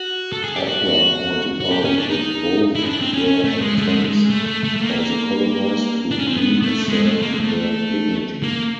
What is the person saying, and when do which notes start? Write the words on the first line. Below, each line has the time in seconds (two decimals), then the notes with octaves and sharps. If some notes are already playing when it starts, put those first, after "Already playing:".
Opler pointed out that both were attempts by the colonized to reassert their dignity.
Already playing: F#4
0.32 A4
0.44 G#4
0.56 G4
0.68 F#4
1.60 F#4
1.71 G4
1.84 C#4
1.98 D4
2.10 D#4
2.75 E4
2.83 C#4
2.88 D4
3.01 C4
3.14 C#4
3.27 C#4
3.44 A3
3.61 G#3
3.78 A3
3.88 G#3
3.96 A3
4.04 G#3
4.30 A3
4.47 A3
4.64 A3
4.76 A3
4.82 A#3
6.11 D4
6.19 C#4
6.27 C4
6.37 B3
6.62 A3
6.88 G#3
7.05 A3
7.22 A#3
7.34 G#3
7.40 A3
8.43 A#3